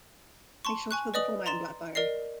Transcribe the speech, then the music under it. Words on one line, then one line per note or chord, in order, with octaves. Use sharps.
Make sure to fill the form out in black biro.
A5 C6 C#6
G#5 C#6 F#6
B4 D5 D#5 D#6 F#7
A#5 C6 A6 E7
A#4 D5 D#5 C7